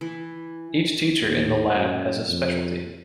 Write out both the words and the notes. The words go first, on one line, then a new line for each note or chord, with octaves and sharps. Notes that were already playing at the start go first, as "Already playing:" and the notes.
Each teacher in the lab has a specialty.
E3
D#2
F#2
F2